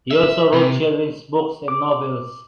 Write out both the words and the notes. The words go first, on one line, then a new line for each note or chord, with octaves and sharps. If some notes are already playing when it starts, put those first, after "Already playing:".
He also wrote children’s books and novels.
E5
C3
D6